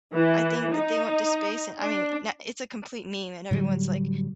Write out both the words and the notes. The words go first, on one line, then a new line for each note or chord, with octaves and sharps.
I think that they went to space and I mean, na it's a complete meme, and everyone's like
E3
D#4
D4
A2 D3 F#3 G3